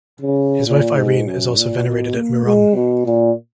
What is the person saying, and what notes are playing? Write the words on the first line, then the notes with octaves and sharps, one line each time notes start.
His wife Irene is also venerated at Murom.
C#3
A#2
G#2
F#2
A#2
B2
A#3
G#3
B2
A#2